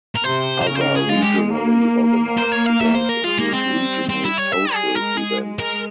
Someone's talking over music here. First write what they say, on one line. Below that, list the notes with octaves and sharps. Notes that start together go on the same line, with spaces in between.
Other regionally organised events include regional social events.
A#4
C3 C5
C5
C#3 A#4
C5
A#4
G#4
G#3 F4
G4
A#3
C5
C#5
F5
A#3 E5
C5
A#4
G#3 F4
A#3
C4
G3
G3 C4
E4
C#5
E5
G#4
G#3 A#4
G#4
A#4